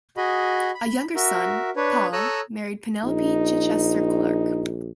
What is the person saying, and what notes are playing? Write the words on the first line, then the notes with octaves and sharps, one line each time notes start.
A younger son, Paul, married Penelope Chichester-Clark.
F#4 G#4 D#5 B5
B5
F#4 A#4 E5
D4 B4 C#5
A4 C#5 A#5 D#6 E6 F#6
A#1 D#4